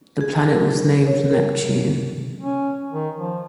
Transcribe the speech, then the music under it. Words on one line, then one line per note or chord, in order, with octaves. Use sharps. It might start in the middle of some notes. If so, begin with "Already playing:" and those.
The planet was named "Neptune".
G#4
A#4
C#5
A#4
C#4
D#3
F3